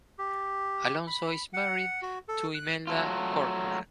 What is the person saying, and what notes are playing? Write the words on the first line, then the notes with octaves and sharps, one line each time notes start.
Alonso is married to Imelda Corcoran.
G4
B5
F#5
F#4
A4
F#6
F#3 A3 F4